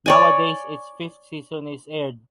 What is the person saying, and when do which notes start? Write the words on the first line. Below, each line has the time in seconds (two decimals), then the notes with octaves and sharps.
Nowadays, its fifth season is aired.
0.06 C#5 D5 G#5